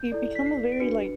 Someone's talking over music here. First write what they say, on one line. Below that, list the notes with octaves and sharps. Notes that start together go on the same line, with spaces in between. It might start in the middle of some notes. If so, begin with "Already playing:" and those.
you become a very like
Already playing: G6
E4 A4 D5
B6
C7
D7
D4 F#4 B4 C#7